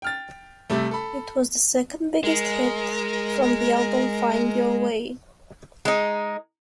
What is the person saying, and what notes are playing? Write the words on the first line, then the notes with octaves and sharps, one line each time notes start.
It was the second biggest hit from the album "Find Your Way".
G5 F6 A6
C3 G3 A3
A4 B5
G#3 A#4
G#3 D#4